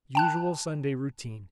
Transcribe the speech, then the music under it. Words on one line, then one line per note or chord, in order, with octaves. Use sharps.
Usual Sunday routine.
G5 A5 F#6